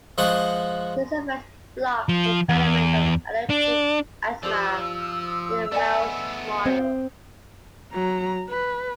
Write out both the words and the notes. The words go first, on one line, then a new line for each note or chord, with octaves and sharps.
These effects block the development of allergic asthma in a mouse model.
F3 G#3 F#5 C#6
F3
E2
D4
F3 G4 C5 D5 E6
A3 B3 D5 D#5 G#5
C4
F#3 A#5
B4